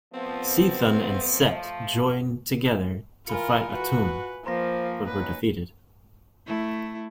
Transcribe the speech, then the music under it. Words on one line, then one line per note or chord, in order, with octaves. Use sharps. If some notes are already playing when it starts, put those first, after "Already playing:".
Chthon and Set joined together to fight Atum, but were defeated.
F3 A3 B3 C4
E3 F4 A#4 G#5 B5 C#7
F#4 B4
F3 A#3 C5 A#5 C6 A#6
B3 C#4 D#4 B4
A3 E4